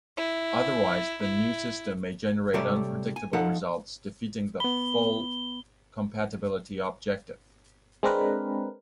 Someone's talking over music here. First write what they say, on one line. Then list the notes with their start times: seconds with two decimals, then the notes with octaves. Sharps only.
Otherwise, the new system may generate unpredictable results, defeating the full compatibility objective.
0.17 E4
1.21 E4
2.54 C3 G3 A3 C#5 D5
3.16 G#5
3.33 F3 D#4 A4 F#5
4.60 B3 B5 G7
8.03 G#3 C4 D4 A#4 B4